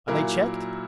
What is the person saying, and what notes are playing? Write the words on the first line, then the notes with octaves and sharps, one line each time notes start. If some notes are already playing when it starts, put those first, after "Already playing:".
"Are they checked?"
A#2 F#3 A#3 E4 A#4